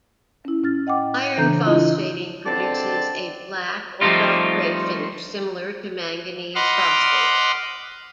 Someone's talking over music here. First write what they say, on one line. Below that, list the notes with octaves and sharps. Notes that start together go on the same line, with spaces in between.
Iron phosphating produces a black or dark gray finish similar to manganese phosphating.
C#4 E4
A2 C#4 F6 A6
D#5 F#5 G5 D6
C#3 E3 D4 A4 A#5 G6
E4 F4 D#5
C#2 D3 C4 C5 D5 A5
F3 G3 A3 C4 D#4 F4
D#5 F#5 B5 C6 D6 F6